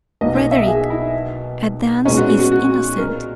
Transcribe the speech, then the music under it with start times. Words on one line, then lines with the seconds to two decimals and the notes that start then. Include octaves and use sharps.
"Frederick, a dance is innocent."
0.21 B1 B2 A#3 D#5
0.36 D#5
0.51 E5
0.67 G#4
0.90 E4
2.05 A#2 G#3 B3 C#4 D#4
2.17 F#4
2.29 F#4
2.40 F#4
2.51 F#4
2.98 A#4